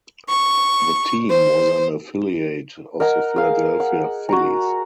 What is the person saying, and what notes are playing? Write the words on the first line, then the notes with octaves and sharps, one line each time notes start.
The team was an affiliate of the Philadelphia Phillies.
C#6
C5
A#4 D#5 F#5 A#5
G#4 F5
F#5
F#4 A#5